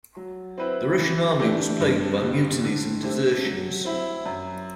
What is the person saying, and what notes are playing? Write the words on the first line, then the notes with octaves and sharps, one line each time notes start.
The Russian Army was plagued by mutinies and desertions.
F#3
C4 E4 B4
E3
A3 D4 G4
G2
D3 G3
D3
A3 C4 G4
F#3
C4 E4
F#2